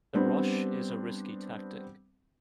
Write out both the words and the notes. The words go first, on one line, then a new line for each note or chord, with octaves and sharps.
The rush is a risky tactic.
G3 B3 C4 D4